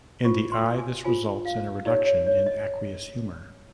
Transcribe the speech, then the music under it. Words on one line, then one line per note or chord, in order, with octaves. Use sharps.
In the eye this results in a reduction in aqueous humour.
F4 C5 C#6
C6
G#5
F4 C5 G#5
F5
D#4 G4 A#4 C#5 D#5
C#5
C#5
D#5